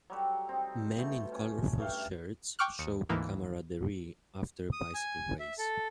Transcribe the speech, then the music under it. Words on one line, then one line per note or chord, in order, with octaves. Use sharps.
Men in colorful shirts show camaraderie after a bicycle race.
F#3 G3 A4
C4 D#4
B2 A3
C#4
G2 A3 F5
G5 C#6 D6 F6 F#6
D#2 C#7
D2 G#2 E3 A#3
D#6
G#5
E5
A4